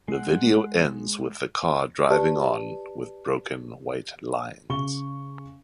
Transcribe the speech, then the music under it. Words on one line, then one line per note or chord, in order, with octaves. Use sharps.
The video ends with the car driving on with broken white lines.
G#3 F#5
G4 B4 D5 A5
C#3 C#6 G7